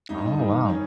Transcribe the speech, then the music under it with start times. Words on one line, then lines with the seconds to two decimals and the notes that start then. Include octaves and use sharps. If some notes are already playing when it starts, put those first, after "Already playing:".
Oh, wow.
0.09 G2 D#4
0.39 D#3
0.70 C#4